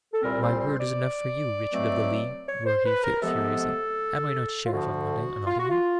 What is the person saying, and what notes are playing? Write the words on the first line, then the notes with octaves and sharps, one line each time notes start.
"My word is enough for you, Richard of the Lee," roared he, furiously. "Am I not Sheriff of Nottingham?"
A4
C2 A#2 G3 C4 A#4
C5
C5
D5
B2 F#3 A3 C4
C#5
C5
B4
A#4
C3 F3 G#3 B3 A4
F4
D2 D3 F3 F#4
F4
F#4
F4